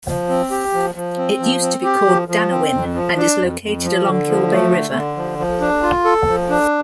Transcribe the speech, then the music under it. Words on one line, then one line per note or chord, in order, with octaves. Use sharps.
It used to be called Danawin and is located along Kilbay River.
F3
C4
G4
F3
F3
C4
F3
C4
G4
F3
F3
C4
F2
F3
D4
F2
F2
F3
D3
F3
A3
D3
D3
F3
F3
D4
F4
A4
F3
D4